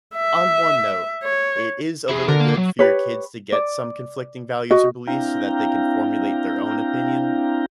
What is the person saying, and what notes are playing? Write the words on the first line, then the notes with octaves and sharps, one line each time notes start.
on one note, it is a little good for your kids to get some conflicting values or beliefs so, that they can formulate their own opinion,
E5
C#5
E4 G#4
D3 A#4
A#3 F5
F#3
G4 B4 C#5
D5
F#4 D#5
C4 D4 E4 F5 G5 A#5